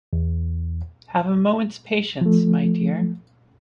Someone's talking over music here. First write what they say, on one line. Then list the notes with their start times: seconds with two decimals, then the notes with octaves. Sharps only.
Have a moment's patience, my dear.
0.13 E2
2.21 F3 A3